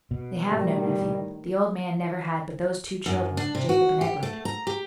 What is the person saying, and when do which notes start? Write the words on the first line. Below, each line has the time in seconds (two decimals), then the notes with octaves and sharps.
They have no nephew; the old man never had but those two children, Jacob and Edward.
0.11 B2
0.49 A2 D#3 G3
3.06 F#2
3.37 D4
3.55 C3
3.69 F#4
4.01 G4
4.23 A3
4.45 A#5
4.67 G4